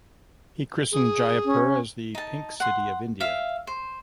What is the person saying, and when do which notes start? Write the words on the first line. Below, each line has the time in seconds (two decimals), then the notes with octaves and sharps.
He christened Jaipur as 'the Pink City of India'.
0.91 G#4
1.44 C#4
2.15 D#4 A5
2.60 F#5 C6
3.20 E5 F5
3.67 C5